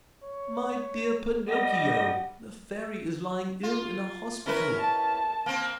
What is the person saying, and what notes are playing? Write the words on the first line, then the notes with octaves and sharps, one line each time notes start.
"My dear Pinocchio, the Fairy is lying ill in a hospital."
C#5
G3 D#5 F#5
F4
C#4 E4 A#4 B4
A5
A#3 C4